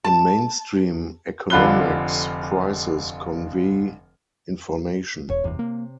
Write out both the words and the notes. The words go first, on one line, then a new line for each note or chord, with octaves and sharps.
In mainstream economics, prices convey information.
A5
F1 D3 F4 B5 F#6 G7
E1 C#5
F#1 E2 C3
A#3